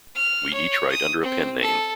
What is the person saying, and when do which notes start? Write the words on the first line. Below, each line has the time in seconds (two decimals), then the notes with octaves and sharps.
We each write under a pen name.
0.16 F6
0.54 C#5
0.92 D#6
1.23 C4
1.62 A4